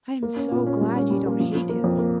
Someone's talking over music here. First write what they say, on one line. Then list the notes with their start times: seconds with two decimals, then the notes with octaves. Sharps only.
"I am so glad you don't hate him."
0.23 A#3
0.36 C#4
0.52 A#2
0.66 C#4
0.81 G3
0.96 C#4
1.10 G3
1.26 A#3
1.40 F3
1.55 F3
1.69 A#3
1.84 F2
1.98 A#3